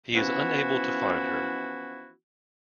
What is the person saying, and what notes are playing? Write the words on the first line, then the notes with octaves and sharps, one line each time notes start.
He is unable to find her.
E3 F3 B3 C#4 E4 F#4